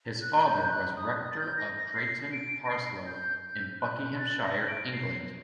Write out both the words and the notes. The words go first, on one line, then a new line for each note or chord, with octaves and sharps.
His father was Rector of Drayton Parslow in Buckinghamshire, England.
F#6
G6
F#6
D#6
D#6
A6
G6
A#6
A#6
C7
C7
D7
A#6
C7
G6
G6
F#6
A6
A#6
D7
A#6
C7